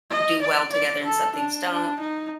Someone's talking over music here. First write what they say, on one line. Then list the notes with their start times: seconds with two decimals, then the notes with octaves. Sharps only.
do well together and some things don't.
0.11 D#5
0.42 D5
0.73 D5
1.06 A4
1.36 D4
1.69 D4
2.00 D#4